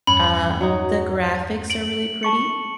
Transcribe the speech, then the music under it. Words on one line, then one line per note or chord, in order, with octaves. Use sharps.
uh, the graphics are really pretty,
E2 G2 C#4 B5
F#3 D#4
D7 F#7
A5 C#6 C#7